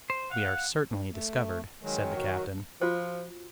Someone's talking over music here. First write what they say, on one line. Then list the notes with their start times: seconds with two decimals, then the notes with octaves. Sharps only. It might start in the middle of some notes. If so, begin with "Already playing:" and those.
"We are certainly discovered," said the captain.
0.10 C5
0.31 F5 F#5
1.13 A3
1.82 D#3 F#3 G#3
2.15 F#4
2.82 F3 F4 F#4 C5